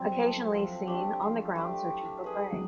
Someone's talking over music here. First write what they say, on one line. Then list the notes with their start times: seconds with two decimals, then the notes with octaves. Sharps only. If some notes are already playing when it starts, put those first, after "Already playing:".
Occasionally seen on the ground searching for prey.
Already playing: F#3 G3 C4
0.20 E4 A4
0.54 F3
0.87 A3 D4 G4
1.22 F3
1.55 A3 D4 G4
1.90 E4
2.24 G#4 B4
2.52 F#3